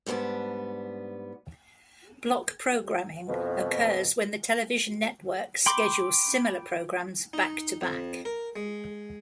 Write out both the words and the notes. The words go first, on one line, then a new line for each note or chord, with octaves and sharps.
Block programming occurs when the television network schedules similar programs back-to-back.
G#2 G3 B3 D4 A5
F2 B2
G5 B5 C6 D6
D#4
F2
A#4
G#3